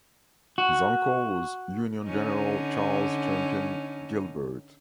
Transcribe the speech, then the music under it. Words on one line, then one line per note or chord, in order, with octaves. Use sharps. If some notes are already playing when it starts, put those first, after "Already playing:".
His uncle was Union General Charles Champion Gilbert.
F#4
D3 C#4 D#4